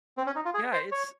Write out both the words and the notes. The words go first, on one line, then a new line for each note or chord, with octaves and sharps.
Yeah, it's
C4
C#4
D#4
F4
G#4
C5
C#5